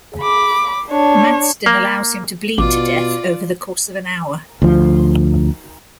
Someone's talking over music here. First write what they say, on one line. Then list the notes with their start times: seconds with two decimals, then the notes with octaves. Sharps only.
Maddstone allows him to bleed to death over the course of an hour.
0.19 B5 D6
0.91 D4 C#5
1.66 A#3
2.58 A1 B2 F4 D5 D6
4.62 D2 F3